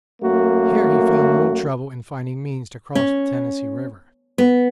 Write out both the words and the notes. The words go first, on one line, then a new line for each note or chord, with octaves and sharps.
Here he found little trouble in finding means to cross the Tennessee River.
F#2 A3 A#3 F#4
C#4
B3